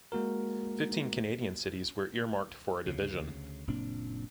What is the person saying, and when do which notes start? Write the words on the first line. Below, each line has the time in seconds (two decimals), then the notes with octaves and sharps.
Fifteen Canadian cities were earmarked for a division.
0.12 G#3 A#3 F#4 A#4
2.86 D2 C#3
3.67 F#1 A#2 C4 D4